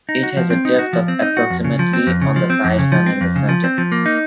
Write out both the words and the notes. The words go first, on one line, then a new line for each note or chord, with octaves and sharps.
It has a depth of approximately on the sides and in the center.
D#4
F#4
F3
C4
D#4
F#4
F3
C4
D#4
F#4
F2
C#3
F3
C4
F2
C#3
F3
C4
F2
C#3
F3
C4
F2
C#3
F3
C4
F3
A#3
D#4